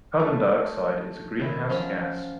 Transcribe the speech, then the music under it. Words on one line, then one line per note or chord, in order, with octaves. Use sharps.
Carbon dioxide is a greenhouse gas.
A3
D#3 E4
F3 F#3 C#4